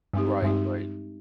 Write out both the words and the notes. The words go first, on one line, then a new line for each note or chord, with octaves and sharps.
Right, right.
G2 G#3 C4 D#4 G4
G2 G#3 C4 D#4 G4